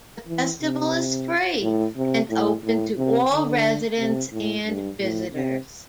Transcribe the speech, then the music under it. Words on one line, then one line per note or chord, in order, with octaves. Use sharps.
The festival is free and open to all residents and visitors.
E3
C3
A2
C3
A2
A2
C3
D3
C3
A2
G2
A2
C3